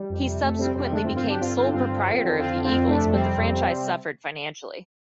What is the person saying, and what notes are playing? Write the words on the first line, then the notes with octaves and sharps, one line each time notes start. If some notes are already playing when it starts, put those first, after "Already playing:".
He subsequently became sole proprietor of the Eagles, but the franchise suffered financially.
Already playing: G3
F2
C3
F2 A3
C3 G3 C4
F2 G3 C4
D3 A3 D4
C4 F4
G2
C4 F4
D3 D4 G4
G2 C4 F4
D3 C4 F4
D4
G2 C4 F4
D3
F2
D3
F2 C4 F4
D3
C4 F4
F2
C3 A3 D4
F2
G3 C4
C3
F2
C3